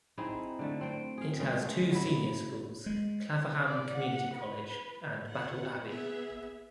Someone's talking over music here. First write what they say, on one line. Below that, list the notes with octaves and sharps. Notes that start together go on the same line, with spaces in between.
It has two senior schools: Claverham Community College and Battle Abbey.
C4 D#4 E4 G#4
D3 A3
C4 C5 G5
G#4 F5
C#3 G#3 A3
F#3 E4
G#3
D5
F#5
B4
F4 F#5
B3 G#4 E5